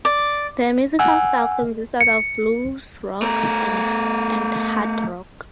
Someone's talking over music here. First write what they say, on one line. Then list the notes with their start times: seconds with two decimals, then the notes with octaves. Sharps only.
Their musical style consisted of blues rock, and hard rock.
0.05 D5
0.99 F#5 G#5 E6
2.01 C#7
3.22 A3 A#4